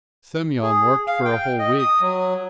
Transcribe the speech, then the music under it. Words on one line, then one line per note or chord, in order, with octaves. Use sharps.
Semyon worked for a whole week.
G#4
F5
G5
D#5
D#6
F#3